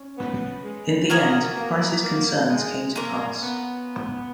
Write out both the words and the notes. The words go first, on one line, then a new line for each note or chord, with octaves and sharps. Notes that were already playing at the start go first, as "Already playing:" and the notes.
In the end, Price's concerns came to pass.
Already playing: C#4
B3
G#3
A#3 F#4 A#4 D#5 G#5
A#3
A#3
G#3
A#3 C#4 F4 A#4
B3